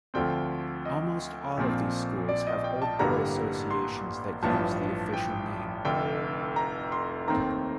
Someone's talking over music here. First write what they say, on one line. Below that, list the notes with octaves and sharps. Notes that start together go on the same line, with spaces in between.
Almost all of these schools have old boy associations that use the official name.
D2 D3 F3 C4 G5
D#5
A#1 A#2 F3 C4
D5
D#5
G5
A5
A1 G2 D3 G3 A#3 A#5
C6
A1 G2 F3 A5
G5
F1 F2 D3 G5
A#5
C6
D#2 D#3 A3 C4 A#5